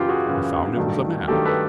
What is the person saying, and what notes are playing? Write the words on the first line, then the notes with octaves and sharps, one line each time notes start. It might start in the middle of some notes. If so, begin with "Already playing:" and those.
I found it was a man.
Already playing: F#2 C#3 E3 F4 G4
F#4 G#4
F#2 C#3 E3
G2 D#3 F#3 A3
G2 D#3 F#3 A3 G4 A4
A4 B4